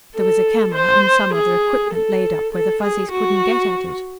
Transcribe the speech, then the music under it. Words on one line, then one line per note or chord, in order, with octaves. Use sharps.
There was a camera and some other equipment laid up where the Fuzzies couldn't get at it.
A4
C5
G#4
A4
A4
G#4
F#4